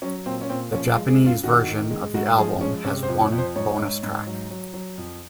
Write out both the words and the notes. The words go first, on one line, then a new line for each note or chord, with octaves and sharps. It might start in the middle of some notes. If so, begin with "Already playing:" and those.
The Japanese version of the album has one bonus track.
F#3 C#4
A#2 C4
C#4
A#2 C4
F3 C#4
F4
G#3
G#4
F#2
F4
D#3 F#4
D#3
G#3
G#2 F#4
F3 G#4
G#3 C#4
C3 C#4
C5
F2
C#5
F2
C5
G#2 C#5
G#2
G#2
F#3
F#3
F#3
F2